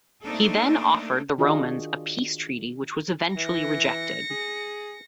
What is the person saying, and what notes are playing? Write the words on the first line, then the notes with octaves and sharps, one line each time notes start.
He then offered the Romans a peace treaty which was eventually rejected.
A3 A#3 C4 D4 D#4 A4
D#3 D4 F4 F#4 G#4 D#5
E3 A#6 C#7
G#4